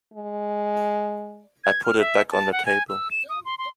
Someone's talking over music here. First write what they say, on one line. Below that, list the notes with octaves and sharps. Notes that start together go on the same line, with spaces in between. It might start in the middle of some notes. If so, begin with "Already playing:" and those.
I put it back on the table.
G#3
G#6
F6
E5
A5
F#5
G#5
E6
E7
D#6
C6
C6